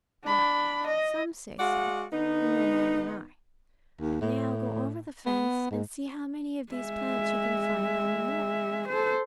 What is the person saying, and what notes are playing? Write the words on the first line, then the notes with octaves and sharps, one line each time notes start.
Well, some say so, who know more than I. But now go over the fence, and see how many of these plants you can find on the moor.
D4 B5
D#5
G#3 F#4 D5 F5 F#5
D3 B3 D#4
D#2
A2
B3
G#2
G#3 E5
A4 C5